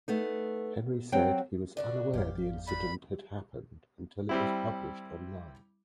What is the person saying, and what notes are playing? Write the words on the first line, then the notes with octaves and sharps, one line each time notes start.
Henry said he was unaware the incident had happened until it was published online.
A3 B3 D#4
F#3 C4 G5
D3 D4 F#4 D5
G#1 F2 G4 F5
G3 B4 B5
G3 C4 E4